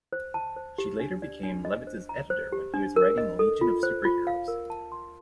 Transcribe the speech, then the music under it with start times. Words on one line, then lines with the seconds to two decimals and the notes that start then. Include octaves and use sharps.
She later became Levitz's editor when he was writing "Legion of Super-Heroes".
0.13 C5
0.34 A5
0.56 C5
0.78 G4
1.00 D4
1.22 D5
1.43 D4
1.65 D#5
1.87 C5
2.09 A#5
2.30 C5
2.52 G4
2.74 D4
2.96 A#4
3.18 D#5
3.39 A4
3.61 F4
3.83 C5
4.05 F4
4.27 F5
4.48 A#4
4.70 A5
4.92 C6